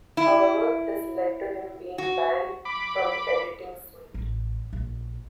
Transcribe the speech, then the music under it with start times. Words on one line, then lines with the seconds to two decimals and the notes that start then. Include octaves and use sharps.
However this led to him being banned from the editing suite.
0.17 E4
1.98 F#4
2.65 B5 D6
4.14 A1
4.73 A#1